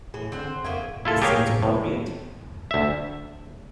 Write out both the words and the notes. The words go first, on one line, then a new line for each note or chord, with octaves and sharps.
This seems appropriate.
A2 E3 G#4
D3 C4 C5 F#5
F2 A#3 B3 G#4 E5 F5 C#6
E4 F4 A4
G4 G#4 A#4 C#5 F5 G#5
A2
D2 E5